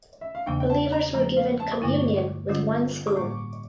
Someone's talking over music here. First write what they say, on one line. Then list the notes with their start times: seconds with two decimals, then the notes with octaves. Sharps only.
Believers were given Communion with one spoon.
0.21 E5
0.35 F5
0.46 E2 C#3 E3 A#3 D4 G5
0.60 G5
0.70 A5
0.92 A#5
1.14 C#3 F3 A3 C#4 A#5
1.37 F5
1.60 A5
1.72 D6
1.81 G2 D3 A3 E4 C#6
2.49 D3 G3 C#4 F4
3.07 D6
3.16 A2 G3 A#3 C#6